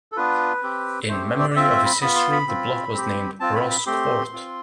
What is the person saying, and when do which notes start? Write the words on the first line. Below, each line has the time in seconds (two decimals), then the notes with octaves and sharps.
In memory of its history the block was named Ross Court.
0.12 A4
0.16 B3 D4 F4 B4
0.63 C4 G4
1.09 A3 C4 G4 C5
1.40 D5
1.50 D5
1.55 C4 F4 E5
1.70 E5
1.85 B5
2.01 B3 F4 B5
2.16 C6
2.32 B5
2.48 C4 F4
2.94 C4 G4
3.40 C4 F4 A5
3.55 B5
3.70 B5
3.86 A3 C4 G4 C6
4.32 C4 F4